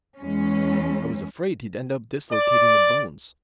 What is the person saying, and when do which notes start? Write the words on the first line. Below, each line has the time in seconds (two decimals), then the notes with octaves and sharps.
I was afraid he'd end up dislocating the bones.
0.21 E2 G#3 C#4
2.31 D5